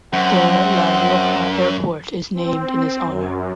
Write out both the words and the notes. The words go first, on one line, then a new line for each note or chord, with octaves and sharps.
The La Rioja Airport is named in his honor.
F#2 C4 F#5
C4
F#2